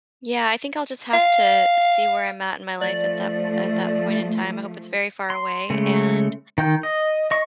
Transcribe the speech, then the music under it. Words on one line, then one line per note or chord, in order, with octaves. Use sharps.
Yeah, I think I'll just have to see where I'm at in my life at that at that point in time. I hope it's very far away and
F5
F3 A3 D5
C6
C#3 G#3 A3
D#3 G5 G6
D#5
D#5 C#6